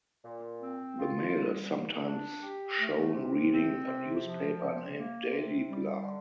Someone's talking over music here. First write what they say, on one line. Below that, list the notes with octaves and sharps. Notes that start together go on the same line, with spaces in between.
The male is sometimes shown reading a newspaper named "Daily Blah".
A#2
C4
F4
G3
A#2
D4
G4
A3
C3
C4
C3
F3
C3
A#3
C3
G3
D3